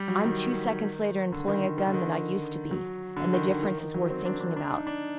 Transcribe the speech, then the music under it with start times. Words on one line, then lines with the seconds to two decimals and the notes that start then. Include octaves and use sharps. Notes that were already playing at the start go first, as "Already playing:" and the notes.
I'm two seconds later in pulling a gun than I used to be, and the difference is worth thinking about.
Already playing: G3
0.08 F#3
0.24 D#3
1.32 D3
1.48 D#3
1.63 D3
1.78 D#3
1.86 D3
1.94 D#3
2.71 F#3
3.16 D3
3.33 D#3
3.47 D#3
3.63 D#3
3.79 D#3
3.94 F#3
4.10 C4
4.25 D4
4.40 D4
4.56 D4
4.71 D#4
4.87 D4